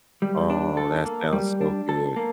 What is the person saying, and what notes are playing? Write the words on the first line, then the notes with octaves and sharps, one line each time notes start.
Oh, that sounds so good.
G3
D4
A4
A#3
G3
D4
A4
A#3